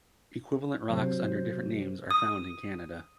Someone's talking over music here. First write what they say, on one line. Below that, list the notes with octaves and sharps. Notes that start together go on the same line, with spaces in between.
Equivalent rocks under different names are found in Canada.
C3 F#3 C5
D#6